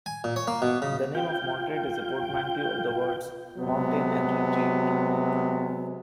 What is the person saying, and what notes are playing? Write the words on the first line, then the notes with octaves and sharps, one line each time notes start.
The name of Montreat is a portmanteau of the words "Mountain" and "Retreat".
G#5
A#2
C#5
A#3
B2
C#3
F4 G5
C3 F#3 G#3 B3